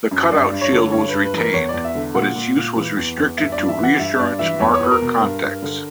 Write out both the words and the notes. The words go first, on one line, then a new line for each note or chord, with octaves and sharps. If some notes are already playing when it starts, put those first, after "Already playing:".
The cutout shield was retained, but its use was restricted to reassurance marker contexts.
F#2
G2 D5
G2
C#5
D3
G2 C#5
G2 B4
B4
E3 A#4
E2 C#5
D5
E2
E5
D3
A#2 F#5
A#2
A#2
E3
E2
E2
G2 E5
D5
G2
E5
E3 F#5
G2 E5
G2 D5
E3 E5
E2 C#5
C#5
E2 B4
A#4
B2
G2
G2
D3